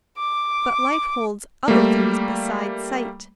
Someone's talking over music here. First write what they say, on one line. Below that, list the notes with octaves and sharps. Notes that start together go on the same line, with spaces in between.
But life holds other things beside sight.
D6
G3 A3 A#3